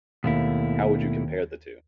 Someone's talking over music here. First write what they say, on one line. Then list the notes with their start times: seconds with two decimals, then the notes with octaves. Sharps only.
How would you compare the two?
0.24 D#2 B2 A3 E4